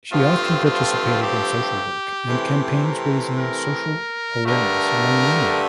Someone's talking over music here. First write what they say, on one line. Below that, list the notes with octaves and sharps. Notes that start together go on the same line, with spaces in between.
She often participated in social work and campaigns raising social awareness among women.
G2 D3 F3 A3 C4 F4
F4
G4
C3 E3 A3 C4
A#4
A#4
G2 D3 A3 A#4